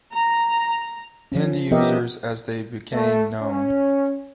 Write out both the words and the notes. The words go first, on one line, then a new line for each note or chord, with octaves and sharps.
"End users" as they became known.
A#5
F3 C#4
F3 B3 G4 A#4 D#5 E5
A3
C#4